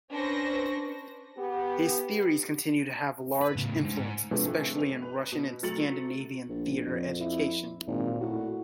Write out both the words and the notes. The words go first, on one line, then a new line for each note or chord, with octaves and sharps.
His theories continue to have large influence, especially in Russian and Scandinavian theatre education.
C#4 D4 B4 C5 C#6 A#6
B3 G4
B4
A2 C#3
G#2
C3 E3 F3 G#3 A3 D4
F7
B4
B2
F#3 A3 A6 C#7 F7 F#7
A#1
F2
E4
G#1 A#2
A2 F#4